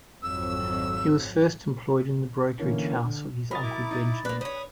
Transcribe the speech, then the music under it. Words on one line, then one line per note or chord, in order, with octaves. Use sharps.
He was first employed in the brokerage house of his uncle Benjamin.
G#1 F2 F#3 E6
D3 E3 A#3 C#4
D3
F#3 A#4 D#5 B5 D#6 A6
E4 D6
D#4
A#3 D4 B4 F#6
C5 C#5 B5 D#6